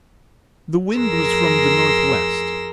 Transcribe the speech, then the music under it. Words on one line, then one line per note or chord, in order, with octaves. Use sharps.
The wind was from the north-west.
F2 G#4 A#4 C6 E6 A#6